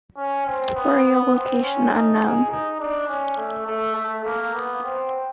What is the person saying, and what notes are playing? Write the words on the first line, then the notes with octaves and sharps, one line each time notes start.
Burial location unknown.
C#4
C4
B3
B3
C4
C#4
D#4
G#4
D#4
D4
C#4
A3
A3
A3
A#3
B3
C4